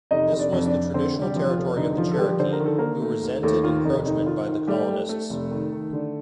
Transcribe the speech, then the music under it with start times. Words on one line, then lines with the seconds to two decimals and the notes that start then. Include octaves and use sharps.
This was the traditional territory of the Cherokee, who resented encroachment by the colonists.
0.11 F1 D#4 D#5
0.31 F1
0.39 D4 D5
0.52 F2
0.66 D4 D5
0.73 F2
0.94 D3 C4 C5
1.15 F1
1.22 G3 G4
1.36 F3
1.50 F4
1.56 F1
1.77 D3 D#4
1.93 D#4
1.98 F3 F4
2.12 A4
2.18 F3 G3 G4
2.39 D3 C5
2.53 A#4
2.60 D#3
2.66 A4
2.78 D#3 A#3 A#4
3.02 A3
3.23 D#2
3.43 D#2 A3 A4
3.64 D#3 F4
3.84 F1 D#4
4.06 D#3 D#4
4.26 D#3 F4
4.47 D#3
4.67 G3 A3 G4
4.88 A3
5.09 A3 A4
5.30 F1
5.51 D#3
5.72 D#3
5.93 D3